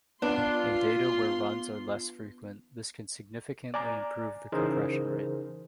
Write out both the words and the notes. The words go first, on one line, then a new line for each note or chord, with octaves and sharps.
In data where runs are less frequent, this can significantly improve the compression rate.
B3 D4 F4 C6
D5 G#5 A#5 D6
C#3 E3 D#4 G#4 A#4 C5